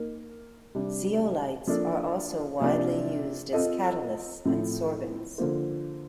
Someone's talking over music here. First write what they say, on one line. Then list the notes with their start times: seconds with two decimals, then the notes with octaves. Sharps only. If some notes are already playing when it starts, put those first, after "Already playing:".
Zeolites are also widely used as catalysts and sorbents.
Already playing: A#3 D#4 A#4
0.75 C3 G3 D4
1.67 F3 A#3 D4 A4
2.60 C3 F3 A#3 D4
3.53 C4 F4 A4 D#5
4.45 A2 F3 A3 C4
5.38 D3 F3 A#3 F4 C5